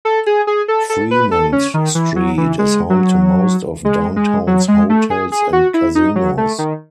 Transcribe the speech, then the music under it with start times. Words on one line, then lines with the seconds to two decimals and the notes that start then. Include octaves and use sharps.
Fremont Street is home to most of downtown's hotels and casinos.
0.05 A4
0.26 G#4
0.47 G#4
0.68 A4
0.90 A4
1.11 B4
1.31 A4
1.53 C#4
1.74 D#3
1.95 E3
2.16 F#3
2.38 E3
2.59 G#3
2.90 F#3
3.85 G#3
4.16 G#3
4.47 F#3
4.68 G#3
4.90 A3
5.10 G#4
5.32 G#4
5.53 F#4
5.74 E4
5.95 D#4
6.16 F#3
6.38 A3
6.59 D#3